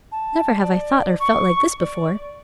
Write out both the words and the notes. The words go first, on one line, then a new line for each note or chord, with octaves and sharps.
Never have I thought or felt like this before!
A5
D5
C#6
D5